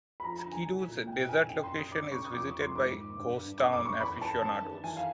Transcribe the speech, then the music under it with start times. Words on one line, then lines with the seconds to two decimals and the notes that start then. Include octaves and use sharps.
Skidoo's desert location is visited by ghost town aficionados.
0.20 B5
0.24 F3 A#5
0.38 A#5
0.45 D3
0.52 G#5
0.66 C2
0.87 A#2
1.07 C2 G5
1.28 B2 G#5
1.49 F#2 G5
1.64 C6
1.71 F#2
1.78 D#6
1.91 C#3 D6
2.12 C#3 C#6
2.25 D#6
2.33 F2 D6
2.48 C#6
2.54 F2
2.62 C6
2.75 G#2 D6
2.95 D#3
3.17 G2
3.38 G2
3.58 F#2 D6
3.73 D6
3.79 F#2
3.86 C#6
4.00 E2 B5
4.21 E2 A5
4.42 F#2 A5
4.63 D#3
4.84 E3 G#5
4.97 F5